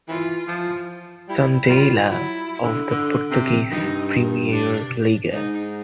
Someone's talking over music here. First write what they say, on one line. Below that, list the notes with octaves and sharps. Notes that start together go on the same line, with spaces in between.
Tondela of the Portuguese Primeira Liga.
E3 F4
F3
G3 E4
G3 F4
F#3 E4
D3
D3
C3
G2 D#4
D4
G#2 D#4